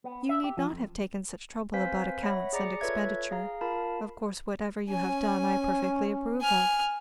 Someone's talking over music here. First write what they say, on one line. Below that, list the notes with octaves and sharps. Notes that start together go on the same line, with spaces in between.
You need not have taken such trouble about accounts and expenditure; of course, whatever you have done I perfectly approve of.
B3
E5
G4
F3
F2
C4 B4 C5 F5 G#5 B6
C#5 E5 F#5 B5 A#6
G#4 D5 A#5 D6 A#6 C#7
F4 A4 B4 C#5 E5 G#6
G#4 F5 A#5
F4 A#4 F5 A5 B5
C#4 G#5
G#5 F6